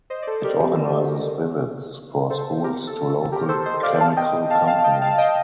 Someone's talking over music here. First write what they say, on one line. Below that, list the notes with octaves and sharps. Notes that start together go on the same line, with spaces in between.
It organises visits for schools to local chemical companies.
C5 D#5
D5
A4 C5
G4 A#4
A4 C5
G4 A#4
A4
A4
G4 A#4
A4 C5
C5 D#5
D5 F5
F5 A5
D#5 G5
F5 A5
F5 A5
D#5 G5
F5 A5
D#5 G5